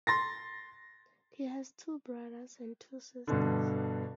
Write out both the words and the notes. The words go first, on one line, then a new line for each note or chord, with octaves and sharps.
He has two brothers and two sisters.
C6 A6 A#6
G2 B2 D3